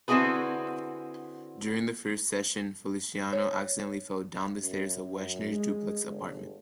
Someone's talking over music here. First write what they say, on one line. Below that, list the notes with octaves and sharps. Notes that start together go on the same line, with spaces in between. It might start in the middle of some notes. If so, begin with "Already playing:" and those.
During the first session, Feliciano accidentally fell down the stairs of Weshner's duplex apartment.
D3 C4 E4 F#4 G#4 B4
C#5
F#2
G#3
G1